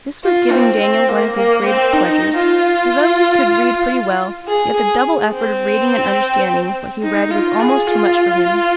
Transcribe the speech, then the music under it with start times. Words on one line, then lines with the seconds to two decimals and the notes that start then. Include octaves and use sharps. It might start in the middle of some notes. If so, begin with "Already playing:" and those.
This was giving Daniel one of his greatest pleasures; for though he could read pretty well, yet the double effort of reading and understanding what he read was almost too much for him.
0.24 F4
0.51 C4
0.80 C4
1.08 A#3
1.36 A#3
1.65 C4
1.93 D#4
2.36 F4
4.47 G#4
4.76 G#4
5.33 C4
7.03 D#4
7.30 F4
7.59 G#4
7.87 F4